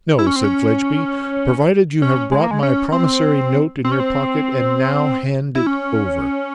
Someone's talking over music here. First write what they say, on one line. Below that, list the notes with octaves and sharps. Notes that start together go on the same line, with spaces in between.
'No,' said Fledgeby; 'provided you have brought my promissory note in your pocket, and now hand it over.'
E4
C#4
C4
C#4
C#4
G#3
A#3
G#3
C#4
C4
C4
C#4
C4
E4
C#4